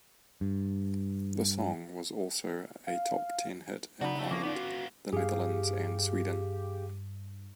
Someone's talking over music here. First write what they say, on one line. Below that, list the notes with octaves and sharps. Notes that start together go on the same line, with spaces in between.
The song was also a top ten hit in Ireland, the Netherlands and Sweden.
G2
F5
C#3 D#4 F#4 B4 D5 F#5 A5
G3 A3
F3 A#3 C#4 E4 G#4 D6
B3 D#4 F4 D5
F#4
G2 G4 G#4 F5